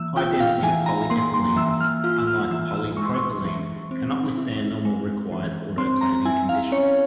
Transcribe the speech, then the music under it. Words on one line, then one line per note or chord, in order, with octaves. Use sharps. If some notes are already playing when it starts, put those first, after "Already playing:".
High-density polyethylene, unlike polypropylene, cannot withstand normally required autoclaving conditions.
Already playing: E3 A#3 E6
F4 G5
F5
E3 G#5
A#5
A#3 C6
C6
E3 E6
F6
F4 F6
E6
F6
E3 E6
E6
G#3 C#6
C6
C#6
E3
C4
E4
G#3
E3
C4 C6
A#5
E4 G#5
F5
C#4 C#5